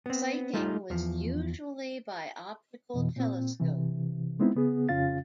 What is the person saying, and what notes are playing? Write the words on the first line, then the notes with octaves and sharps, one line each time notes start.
Sighting was usually by optical telescope.
B3 C4
G3 A3 D#4 F4
E2 F3
F2 B2 E3
A#2 C4
C3 E3
G#3 B3 C4 D#4 E4
C#3 B3 G#4
F2 C#3 C#4 F4 F5 A6